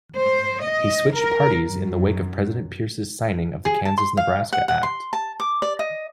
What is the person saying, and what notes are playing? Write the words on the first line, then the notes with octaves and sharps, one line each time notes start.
He switched parties in the wake of President Pierce's signing of the Kansas-Nebraska Act.
C5
D#5
A#4
F#2
G#4
A5
C6
F5
F#5
F#5
C6
A5
D6
D5
D#5